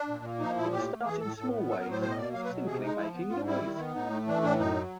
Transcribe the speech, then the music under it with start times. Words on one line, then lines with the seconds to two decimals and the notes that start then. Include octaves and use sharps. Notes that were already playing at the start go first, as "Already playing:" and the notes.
It starts in small ways, simply making noise.
Already playing: D4
0.08 A#2
0.24 A#3
0.40 F3 D#4
0.57 A#2 E4
0.72 A2 G4
0.89 A3
1.04 E3 G#4
1.21 A2 A4
1.37 A2 A4
1.53 B3
1.69 F#3 A4
1.80 A#4
1.86 A2
1.91 C5
2.02 B2 C5
2.10 D#5
2.17 A#3 D5
2.34 F#3 F5
2.44 B4
2.49 B2
2.66 C3 G#4
2.82 G#3 D#4
2.98 F3 E4
3.14 B3
3.30 G#2 F4
3.46 G3 E4
3.62 D#3
3.79 B3
3.95 A2 D#4
4.11 A3
4.27 E3 D4
4.43 A2 D4
4.59 F#2 D#4
4.75 F#3